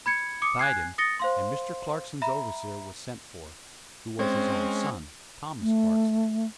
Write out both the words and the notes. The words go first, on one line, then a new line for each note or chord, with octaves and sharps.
They tied him, and Mr. Clarkson's overseer was sent for, who was his own son, Thomas Clarkson.
B5 G#6 C#7
D6 D#6 C#7
G#5 F#6 G#6 C7
D#6 A6 A#6 C#7 G7
C5 F5 C6
E5 A#5 B5
G#3 C4 C#4
A3